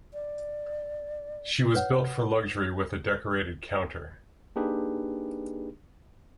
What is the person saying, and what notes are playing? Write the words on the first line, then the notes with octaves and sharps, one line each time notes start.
She was built for luxury with a decorated counter.
D5
B4 C#5 F#5
A#3 D4 D#4 G4 G#4 B4